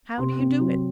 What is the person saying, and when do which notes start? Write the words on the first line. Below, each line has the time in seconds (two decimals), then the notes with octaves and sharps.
How do you do it?
0.18 C3 C6
0.38 C4
0.59 F#3